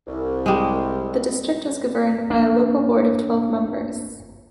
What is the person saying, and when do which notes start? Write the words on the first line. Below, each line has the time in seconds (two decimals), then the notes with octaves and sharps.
The district was governed by a local board of twelve members.
0.07 C2
0.46 G3 G#3
2.31 A#3 D4